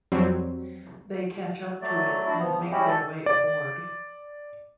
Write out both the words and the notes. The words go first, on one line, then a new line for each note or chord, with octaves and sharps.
They catch up to it and make their way aboard.
F2 F#3 G3 C4
F#3 A3 D5
D4 E4 F#4
F3 B3
E2
G3 G#3 C#4 E4 F#4 G4
A4 D5
D5